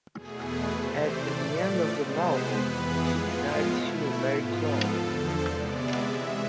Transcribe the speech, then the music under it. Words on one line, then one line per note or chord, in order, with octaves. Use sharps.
At the end of the novel, she decides she will marry Claude.
E2 B2 A3 G#4
B4
C3 E3 A3 C5
D5
A2 F3 A3
C3 G#3 B3 C5
B4
F2 E3 B3 B4
G#4
A2 F3 G#3 B3 F4
B2 A3 E4
G#2 F3 B3 F4
A4
E2 D3 F3
C5
C3 G#3 B3 D5
E5
C3 E3 G#3 E5